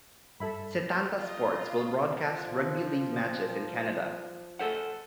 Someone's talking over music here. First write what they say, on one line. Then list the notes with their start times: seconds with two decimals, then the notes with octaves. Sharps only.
Setanta Sports will broadcast rugby league matches in Canada.
0.40 G2 A4 E5 B5
1.18 F4 D#5
2.28 F3
4.59 A4 C5 F#5